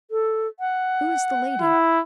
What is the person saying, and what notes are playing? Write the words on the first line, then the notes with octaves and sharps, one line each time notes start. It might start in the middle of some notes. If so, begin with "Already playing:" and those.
"Who is the lady?"
A4
F#5
E4